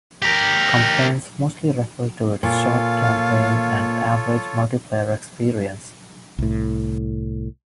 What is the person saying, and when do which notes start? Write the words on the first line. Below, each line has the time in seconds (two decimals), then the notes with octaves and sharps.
Complaints mostly refer to its short campaign and average multiplayer experience.
0.22 G4 A#4
2.43 A#2 F4 A4 C#5 F5
6.39 C2 A2